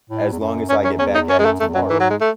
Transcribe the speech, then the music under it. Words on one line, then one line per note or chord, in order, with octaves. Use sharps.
as long as I get back at it tomorrow."
A2
E2
F#2
F#2 C#4
C#4
E2 C#4
D#4
F#2 C#4
G#3
A3
F#2 A3
E2
F#2 F#3
G#2 E3
F#3
G#3
A3